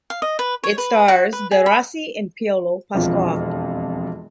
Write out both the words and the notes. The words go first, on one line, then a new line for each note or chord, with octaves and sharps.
It stars de Rossi and Piolo Pascual.
F5
D#5
B4
C#5
B4
F#4
B4
G#4
B5
E1 F2 F4